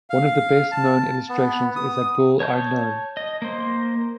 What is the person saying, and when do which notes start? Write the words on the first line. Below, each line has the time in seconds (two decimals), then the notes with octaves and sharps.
One of the best known of his illustrations is "A Girl I Know".
0.10 F5
0.72 A5
1.29 B3
1.76 D#6
2.40 C#5 A5 G6
3.17 D#5
3.42 A#3 C5